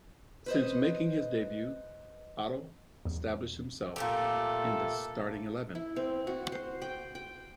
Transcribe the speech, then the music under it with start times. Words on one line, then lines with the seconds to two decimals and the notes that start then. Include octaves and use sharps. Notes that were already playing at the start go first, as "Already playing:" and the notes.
Since making his debut, Ottl established himself in the starting eleven.
0.46 B4 C5 D#5
3.05 E2
3.96 A#2 A3 G4 A4
5.75 E4
5.96 C4
6.27 F#4
6.52 C5
6.82 G5
7.15 G5